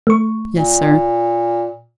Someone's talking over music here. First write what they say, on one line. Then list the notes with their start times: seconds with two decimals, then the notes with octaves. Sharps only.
"Yes, sir."
0.07 A3 C#6
0.51 A#2